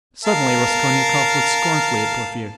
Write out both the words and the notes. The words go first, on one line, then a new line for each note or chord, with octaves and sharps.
Suddenly Raskolnikov looked scornfully at Porfiry.
A#4 F5 A5